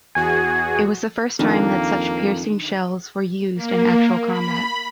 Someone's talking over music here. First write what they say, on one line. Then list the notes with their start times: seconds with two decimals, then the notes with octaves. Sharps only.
It was the first time that such piercing shells were used in actual combat.
0.15 E2 F#4 G#4 G#5
1.39 F2 D#3 A#3 D4
3.55 A#3
4.27 B5